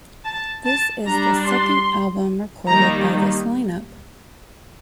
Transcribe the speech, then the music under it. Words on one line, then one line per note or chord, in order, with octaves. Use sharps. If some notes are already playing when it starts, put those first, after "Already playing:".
This is the second album recorded by this line-up.
A5
A5
G3 D4 A#5
C6
D#3 G3 A#3 D#4 A#5